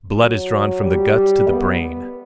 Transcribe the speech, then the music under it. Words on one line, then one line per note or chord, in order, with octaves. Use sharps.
Blood is drawn from the guts to the brain.
F#3
G3
B3